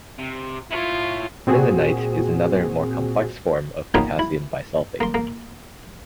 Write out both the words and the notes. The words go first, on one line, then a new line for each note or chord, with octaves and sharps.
Misenite is another, more complex, form of potassium bisulfate.
C3
E4 F4 C#5
A#2 C4 F#4 G#4
A#3 B3 D#4 F4 C#5 G5
E4
A#3 C6
A#3